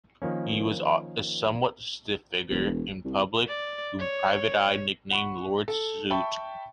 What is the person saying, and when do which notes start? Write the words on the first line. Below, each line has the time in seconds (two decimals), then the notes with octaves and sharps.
He was a somewhat stiff figure in public whom Private Eye nicknamed 'Lord Suit'.
0.22 D#3 F3 A#3 C#4
2.50 E1
3.05 C2
3.47 D5
3.99 C#5
5.11 F#5 B5 C#6
5.68 A4
6.10 E5 G5 A5 B5 C#6